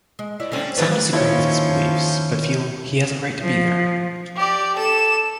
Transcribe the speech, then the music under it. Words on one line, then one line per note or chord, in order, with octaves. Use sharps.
Some disagree with his beliefs, but feel he has a right to be there.
G#3
E4 C#5 D5
D3 G3 A3 C4 C#4
G#2 B2 D#3 B4
A#3
D#2 F3 C#4 E4 C#5 G6
F3
G4 D5
A4 E7